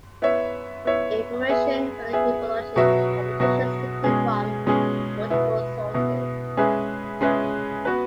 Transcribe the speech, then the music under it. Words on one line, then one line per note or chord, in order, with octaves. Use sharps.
Information for the hippology competitions is taken from multiple sources.
B3 E4 C#5 E5
B3 E4 C#5 E5
B3 G#4 E5
B3 G#4 E5
B2 F#3 B3 F#4 E5
B2 F#3 B3 F#4 E5
B2 G#3 C#4 G#4
B2 G#3 C#4 G#4
B2 B3 E4
B2 B3 E4
G#3 C#4 G#4 B4 E5
G#3 C#4 G#4 B4 E5
B3 F#4 B4